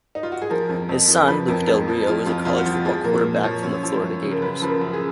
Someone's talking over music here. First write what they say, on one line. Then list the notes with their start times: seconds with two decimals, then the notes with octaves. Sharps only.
His son, Luke Del Rio, is a college football quarterback for the Florida Gators.
0.15 D#4
0.23 F4
0.32 F#4
0.42 G#4
0.50 F3 A#4
0.69 F2
0.89 F2
1.08 F3
1.28 F3 B4
1.48 F2 A#4
1.67 F2 A#4
1.88 F3
2.07 F3 F4
2.26 F2 F4
2.45 F2 F4
2.56 F#4
2.65 F3 F4
2.85 F3 G#4
3.04 A#2 A#4
3.24 A#2 A#4
3.43 F3 C#5
3.63 F#2 C#5
3.83 F3
4.02 F#2
4.22 C#3
4.31 A#4
4.42 F#2 B4
4.62 F3 B4
4.68 A#4
4.81 F#2
4.93 G#4